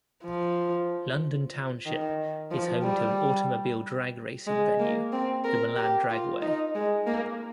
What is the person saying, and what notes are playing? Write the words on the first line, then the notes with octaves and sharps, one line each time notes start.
London Township is home to an automobile drag racing venue, the Milan Dragway.
F3
D#3
F3
G3
G#3
A#3
C4
A#4
G4
F4
D#4
G#3
A#3